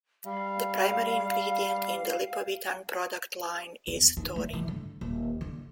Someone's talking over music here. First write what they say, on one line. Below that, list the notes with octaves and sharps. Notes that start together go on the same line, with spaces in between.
The primary ingredient in the Lipovitan product line is taurine.
G3 F5
E2
D#4
A3
E3
D3
D#1
D3